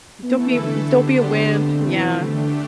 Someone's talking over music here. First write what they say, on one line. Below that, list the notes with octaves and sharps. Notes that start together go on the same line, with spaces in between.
Don't be m don't be a wimp, yeah.
E3 A3 B3 E4 A4
D3
B3 D4 G4 C5
D3
B2 A3 C4
E3
D3 A3 D4 G4